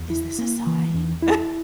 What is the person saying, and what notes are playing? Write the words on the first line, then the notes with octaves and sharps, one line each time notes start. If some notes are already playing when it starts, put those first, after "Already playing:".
"Is this a sign?"
Already playing: E2
E4
A#3
E3
E2
E4